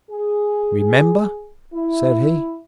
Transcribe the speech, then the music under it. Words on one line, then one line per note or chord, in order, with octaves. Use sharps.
"Remember!" said he.
G#4
E4